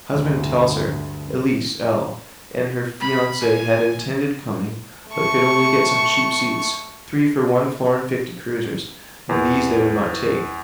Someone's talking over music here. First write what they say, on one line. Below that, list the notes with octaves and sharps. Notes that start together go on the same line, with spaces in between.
Her husband tells her, Elise L---- and her fiance had intended coming, but could only get some cheap seats, three for one florin fifty kreuzers, and these they would not take.
D2 G2
B5
G#5
A3 C#6
E2